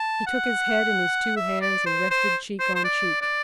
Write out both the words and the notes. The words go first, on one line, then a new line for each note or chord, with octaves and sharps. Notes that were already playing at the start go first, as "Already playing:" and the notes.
He took his head in his two hands and rested cheek on cheek.
Already playing: A5
F#5
E5
D5
C5
C5
C5
C5
D5
D5